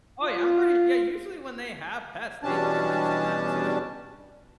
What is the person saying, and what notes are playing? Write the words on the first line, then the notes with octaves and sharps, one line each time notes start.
Oh, yeah, I'm pretty yeah, usually when they have pets, they they mentioned that too.
F4
E2 B2 G3 C#4 D4 A5